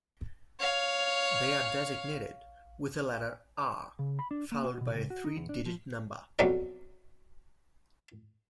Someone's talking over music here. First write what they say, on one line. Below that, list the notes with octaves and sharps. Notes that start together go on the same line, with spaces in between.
They are designated with the letter "R" followed by a three-digit number.
C#5 F5
C#3
B5
D4
A#3
F#4
B2
C#2
F#4
D#4
E2
D4
F3
B1 F2 F#3 G3 B4 D5